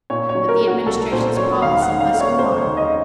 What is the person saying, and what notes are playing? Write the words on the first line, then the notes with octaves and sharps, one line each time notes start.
But the Administration's policy must go on.
A#2 C#5
C#5
F#3
A#4
A#3
F#4
C2 A4
A#2 C5
F#3 C#5
D#2 F5
F#5
D#3
F5
A3
C#5
F1 C5
C#5
D#2
D#5